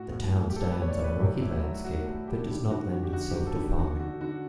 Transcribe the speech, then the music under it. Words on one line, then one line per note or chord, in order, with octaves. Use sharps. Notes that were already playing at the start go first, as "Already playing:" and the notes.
The town stands on a rocky landscape that does not lend itself to farming.
Already playing: A2 F#4
A2
A2
G4
F#3 A4
B4
A2 C#5
D5
A2
B4
F#3 G4
A2 E4
F#3 F#4
F#3 F#4
A3
A3 G4
D3 G4
D3 F#4
D3 F#4
G4
D3 F#4
F#3 G4
A4
D3
G4
D3 F#4
D3 F#4
D3 F#4